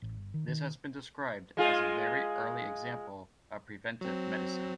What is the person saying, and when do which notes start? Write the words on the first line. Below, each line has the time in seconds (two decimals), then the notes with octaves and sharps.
This has been described as a very early example of preventive medicine.
0.02 A1
0.17 G1
0.34 D#3
0.48 D#3
1.57 G#3 F4 G#4
4.01 F#3 C4